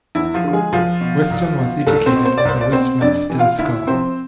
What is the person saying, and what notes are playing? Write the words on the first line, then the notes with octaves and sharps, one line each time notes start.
Weston was educated at the Westminster School.
E2 E4
F3 F4
D3 F3
G#3 G#4
C2 F3 F4
B2
C2
B2
C2 A3 A4
C4 C5
B2
C5
D5
C2 C5
D5
B2 C4 C5
F2 D4 D5
C3 E3
F4 F5
D2 E4 E5
C3 F3 C4 C5